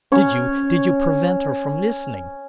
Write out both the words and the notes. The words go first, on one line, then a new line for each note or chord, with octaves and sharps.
Did you--did you prevent her from listening?'
C#4 C#5